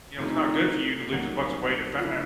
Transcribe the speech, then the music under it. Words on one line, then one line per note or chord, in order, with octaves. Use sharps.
you know, it's not good for you to lose a bunch of weight at f at,
C3 F3 A3 C#4 D#4 E4
C2 C3 D#3 F#3 A#3
F4
C#3 F3 A3 D4 E4